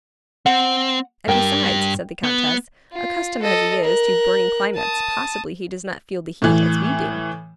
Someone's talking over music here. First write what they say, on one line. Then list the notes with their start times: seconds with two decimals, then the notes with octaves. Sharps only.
"And besides," said the countess, "accustomed as he is to burning climates, possibly he does not feel the heat as we do."
0.46 C4 F#5
1.28 G2 G4 A#4 G5
2.23 B3
2.92 F4
3.42 A4 D#5
3.84 A#4 F#6
4.75 A5 D#6
6.42 A2 E3